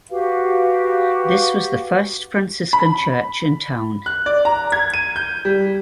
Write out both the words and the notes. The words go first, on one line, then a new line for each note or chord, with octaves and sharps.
This was the first Franciscan church in town.
F#4 G4 B4 F5
B5
F#6
D5
A#5
G#6
D#7
G6
G3